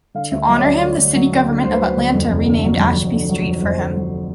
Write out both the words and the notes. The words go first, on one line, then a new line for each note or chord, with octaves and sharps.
To honor him, the city government of Atlanta renamed Ashby Street for him.
D3 F5
D2 E5
F#3 D#5
C#5
D2 D5
D3
D2
F#3
D2
D3
D2 C5
B4
F#3 C5
D2
F2
F1
D3
F#3
F2
F1
D3
F#3
F2
F1 C5
D3
F#3